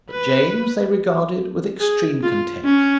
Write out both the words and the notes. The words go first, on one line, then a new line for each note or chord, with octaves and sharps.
But James they regarded with extreme contempt.
B4
G#4
F4
C#4